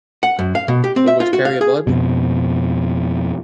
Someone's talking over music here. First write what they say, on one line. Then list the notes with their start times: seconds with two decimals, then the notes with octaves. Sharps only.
Always carry a bible?
0.23 F#5
0.39 F#2
0.55 F5
0.68 B2
0.84 G4
0.96 C4
1.07 E5
1.20 F4
1.33 F#4
1.45 F5
1.61 G#4
1.87 F2 B2